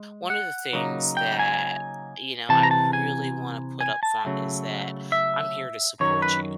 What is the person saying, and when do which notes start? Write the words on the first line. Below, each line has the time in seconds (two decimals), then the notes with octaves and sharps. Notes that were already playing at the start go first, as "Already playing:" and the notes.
One of the things that, you know, I really wanna put up front is that I'm here to support you,
Already playing: G#3
0.30 F#5
0.73 C#3 F#3 A#3 D#4
1.17 G5
1.39 G#5
2.49 C3 E3 A5
2.63 A#5
2.71 A5
2.93 G#5
3.81 G#5
4.03 A5
4.25 C#3 F#3 A3
5.12 E5
6.00 F#2 D#3 F#3 C#5
6.22 B4